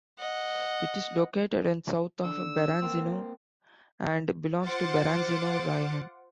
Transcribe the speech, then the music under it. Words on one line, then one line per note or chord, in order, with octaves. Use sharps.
It is located in south of Berazino and belongs to Berazino Raion.
D#5 F#5
D3 E6
A#3 C4
F4 C5 F#5 D6 A6